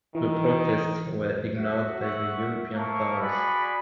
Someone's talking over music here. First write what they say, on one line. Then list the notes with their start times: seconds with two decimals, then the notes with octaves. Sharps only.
The protests were ignored by the European powers.
0.15 D#3 E3
1.57 F#4 E5
1.99 E5 F#5 C#6
2.74 A#3 A#4 E5 F5 A5 C#6
3.20 F#4 G#4 D5 B5